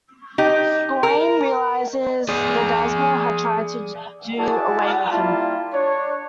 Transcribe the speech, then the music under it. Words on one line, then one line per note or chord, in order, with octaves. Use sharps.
Gawain realises the damsel had tried to do away with him.
D#4 G4
A#4
G#4 D5
E4 F#4 G#4 D5 A5
G3 A#3 E4 F4 A5
D4 C#5